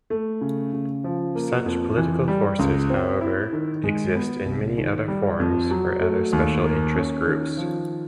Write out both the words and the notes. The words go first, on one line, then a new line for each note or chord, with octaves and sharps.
Such political forces, however, exist in many other forms for other special interest groups.
A3
C#3
C#3
F3
A#3
F2
E3
G3
C#2
C4
E4
D#3
G#3
B3
C2
D#3
G3
F2
F#3
A3
D#2
A#3
C#4
D#3
F3